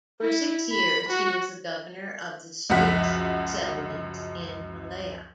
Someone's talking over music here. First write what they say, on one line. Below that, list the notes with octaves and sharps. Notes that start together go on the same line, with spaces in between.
For six years, he was the governor of the Straits Settlements in Malaya.
E4
B5
F#4
C#2 F#2 F3 F#5 B6